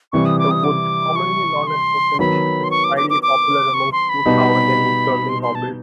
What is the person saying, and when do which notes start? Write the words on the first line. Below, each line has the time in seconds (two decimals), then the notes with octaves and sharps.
The wood, commonly known as serpentwood, is mildly popular amongst woodcarving and woodturning hobbyists.
0.12 C3 E3 G3 C#6
0.26 D#6
0.39 D6
0.51 D#6
0.64 D6
1.16 C#6
1.67 C6
2.19 D#3 F#3 B3 B5
2.64 C6
2.71 C#6
2.84 D6
2.97 D6
3.10 D6
3.23 D6
3.74 C#6
3.92 C6
4.09 B5
4.26 B2 G3 B3 D#4
5.29 C6
5.42 C6
5.55 A5